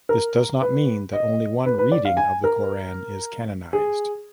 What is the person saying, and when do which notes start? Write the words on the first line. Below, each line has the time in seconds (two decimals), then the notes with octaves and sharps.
This does not mean that only one "reading" of the Quran is canonized.
0.09 A#4
0.62 B4
1.13 D#5
1.66 B4
1.78 B4
1.92 D5
2.05 F5
2.17 G#5
2.44 A#4
3.73 G#4